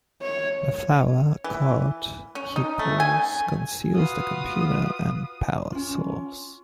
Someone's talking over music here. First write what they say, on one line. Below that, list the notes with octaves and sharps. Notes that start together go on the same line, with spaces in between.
The flower cart he pulls conceals the computer and power source.
C#5
E3
C#4
D#4
A3
G#5
F4 F#4 B4 D#6
C#4 F4